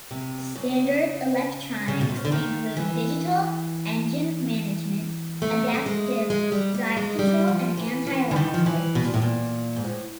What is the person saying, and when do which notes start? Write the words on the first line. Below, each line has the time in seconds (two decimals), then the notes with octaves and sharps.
Standard electronics included digital engine management, adaptive ride control and anti-lock brakes.
0.11 C3
0.56 C#3
1.88 C#3
2.01 B2
2.08 C3
2.16 C#3
2.25 D3
2.32 D#3
2.77 E3
5.42 A3
5.74 A3
5.86 G#3
6.30 G#3
6.52 G3
6.75 G3
6.97 G#3
7.19 G3
7.48 F3
7.77 E3
8.07 E3
8.31 D3
8.36 D#3
8.54 F3
8.66 E3
8.95 B2
9.04 A#2
9.14 A2
9.22 A#2
9.76 G#2
9.84 A2